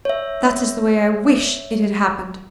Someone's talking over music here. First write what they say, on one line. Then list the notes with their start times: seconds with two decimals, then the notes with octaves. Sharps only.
That is the way I wish it had happened.
0.05 C#5 E5